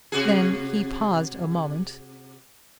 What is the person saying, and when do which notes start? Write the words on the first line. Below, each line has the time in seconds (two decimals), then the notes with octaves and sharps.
Then he paused a moment.
0.12 C3 F#4 G#4